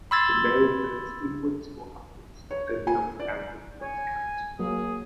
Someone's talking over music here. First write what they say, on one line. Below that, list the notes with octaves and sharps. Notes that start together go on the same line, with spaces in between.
The nail bends inwards or upwards depending on the angle of its cut.
B5 C6 E6 G#6 A6
C#5
G#5
D5
C#5 G#5
F#3 A#3 G#4